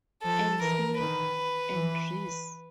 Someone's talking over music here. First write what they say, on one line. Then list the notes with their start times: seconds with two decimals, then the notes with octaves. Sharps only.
And Smith, and Rees.
0.23 F3 A4
0.61 E3 A#4
0.98 D#3 B4
1.74 E3